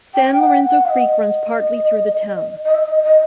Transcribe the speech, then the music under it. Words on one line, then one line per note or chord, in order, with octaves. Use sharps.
San Lorenzo Creek runs partly through the town.
G5
F#5
F#5
D#5
D#5
E5
D#5
D#5